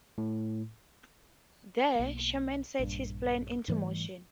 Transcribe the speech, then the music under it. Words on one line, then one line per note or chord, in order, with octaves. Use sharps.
There, Sherman sets his plan into motion.
A2
B1 A#3
A#1 G2
G#2 E3 G3 A3